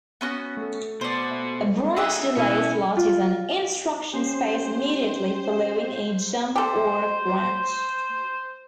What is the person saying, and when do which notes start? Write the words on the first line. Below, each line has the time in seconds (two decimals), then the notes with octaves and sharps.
A branch delay slot is an instruction space immediately following a jump or branch.
0.21 B3 C#4 F#4
0.57 A3 A4
1.01 B2 B3 C5 D5
1.96 D4 G#4 D#5 E5 F#5
2.37 B2 C#4 E4 D#7
2.97 F4
4.14 C#4 G4 C5
6.56 G4 A4 C5